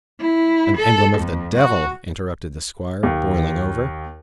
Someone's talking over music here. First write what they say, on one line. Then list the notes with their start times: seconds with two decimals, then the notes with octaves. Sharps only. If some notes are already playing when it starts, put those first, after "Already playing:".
"An emblem of the devil," interrupted the squire, boiling over.
0.21 E4
0.77 A4
1.18 F2
1.56 F#4
3.03 D#2